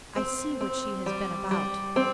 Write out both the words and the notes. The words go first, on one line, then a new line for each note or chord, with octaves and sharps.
I see what she has been about.
C4
C4
G3
G3
C4